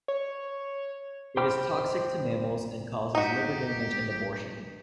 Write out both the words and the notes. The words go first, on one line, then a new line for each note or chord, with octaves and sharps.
It is toxic to mammals and causes liver damage and abortion.
C#5
C5 G5 B5 D6 F6
D#4 F#4 G4